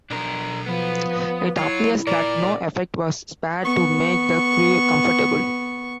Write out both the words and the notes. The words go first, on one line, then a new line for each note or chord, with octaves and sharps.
It appears that no effort was spared to make the crew comfortable.
B1 D4 A#4
F3 B3 B4
F#3 E4 F4 C#5
A#2 A#4 D5
B3 C#6